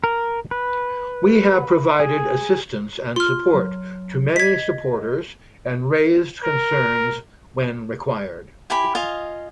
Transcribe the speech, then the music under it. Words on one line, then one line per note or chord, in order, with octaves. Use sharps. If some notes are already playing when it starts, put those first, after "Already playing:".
We have provided assistance and support to many supporters and raised concerns when required.
A#4
B4
G#4
F4 C6 F6
F#3
D#5 G#6 B6
A#4
E4 G4 G#5 B5
F4 D#5 F5 G#5